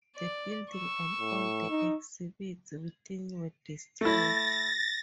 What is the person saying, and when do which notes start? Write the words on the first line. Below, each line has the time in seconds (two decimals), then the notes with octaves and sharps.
The building and all the exhibits within were destroyed.
0.16 D5
0.73 C#6 E6
1.20 A2
1.70 D#4
4.01 A3 E4 A6 A#6